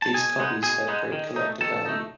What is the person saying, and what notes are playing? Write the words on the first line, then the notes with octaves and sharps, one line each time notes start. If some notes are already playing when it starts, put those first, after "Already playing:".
These copies have great collector value.
A5
B2 G#4 G#5
G#3 B3 D#4
B2 G#4 G#5
G#3 B3 D#4
D#3
A3 D#4
D#3 A4 A5
A3 D#4